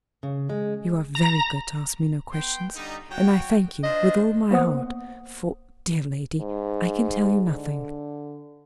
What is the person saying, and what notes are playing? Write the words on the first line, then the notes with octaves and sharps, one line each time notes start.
"You are very good to ask me no questions, and I thank you with all my heart; for, dear lady, I can tell you nothing."
C#3
G#3
A#5
B3 G5 C6
D3 G3 D#4
F#3 F#4 G5
D4 F4 C5 D#5
A#3 B3 C5 F#5 D#6
G#2
D3